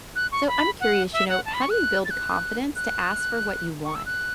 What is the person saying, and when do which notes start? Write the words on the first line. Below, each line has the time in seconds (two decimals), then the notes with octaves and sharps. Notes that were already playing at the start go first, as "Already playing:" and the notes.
So, I'm curious, you know, how do you build confidence to ask for what you want?
0.16 F#6
0.32 C#6
0.48 B5
0.80 F#5
1.13 E5
1.29 F#5
1.46 A5
1.54 B5
1.61 C#6
1.70 F#6
2.05 A6
2.11 F#6
2.76 F#6
3.85 C#6
3.95 E6
4.06 F#6